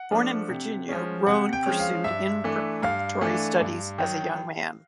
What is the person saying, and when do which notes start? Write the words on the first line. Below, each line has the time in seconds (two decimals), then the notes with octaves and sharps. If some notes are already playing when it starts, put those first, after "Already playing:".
Born in Virginia, Roane pursued in preparatory studies as a young man.
Already playing: F#5
0.11 F3 A3 D4
0.49 C3
0.89 F3 G#3 C#4
1.27 C3 F#5
1.53 G5
1.66 F3 G#3 C#4
1.80 F5
2.04 G2 E5
2.44 E3 A3 D4
2.82 G2 F5
3.21 E3 A3 D4
3.61 G2
3.98 D#3 F#3